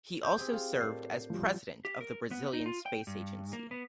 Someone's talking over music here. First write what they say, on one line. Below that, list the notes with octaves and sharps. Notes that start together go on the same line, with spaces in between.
He also served as President of the Brazilian Space Agency.
G6
C4 G4 G#4
F4
A2 D4 A#4 C7
F3 G3
G4
A#4
B3
D#4
F4
G5
G2
A#3
B3